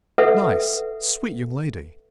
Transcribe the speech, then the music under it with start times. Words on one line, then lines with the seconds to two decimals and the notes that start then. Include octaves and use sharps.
"Nice, sweet young lady."
0.18 A4 B4 E5 F#5